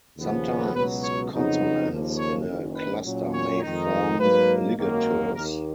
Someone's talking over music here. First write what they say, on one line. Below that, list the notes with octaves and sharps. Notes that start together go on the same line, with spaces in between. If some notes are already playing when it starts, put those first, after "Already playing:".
Sometimes, consonants in a cluster may form ligatures.
D#2 C#3 F3 B3
C#2 B2 F#3 B3 B4
C#5
F2 C#3 F#3 B3 D#4
D#2 C#3 F3 A#3
C#5
F#1 F#2 D#3
B4
A#2 F#3 C#4
C#5
F2 D#3 G#3 D#4
G#2 F#3 A#3 D#4 B4
G#1 F#2 D#3 F#3 A#3
D#2 D#3 A#3 A#4